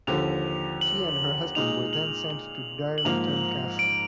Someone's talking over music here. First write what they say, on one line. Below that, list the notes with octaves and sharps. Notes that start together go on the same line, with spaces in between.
She and her husband were then sent to Dirleton Castle.
D#2 D3 F3 F7
F#7
A#2 G#3 D#4 F7
F#7
F#7
F#7
G#2 F3 A#3 F7
D7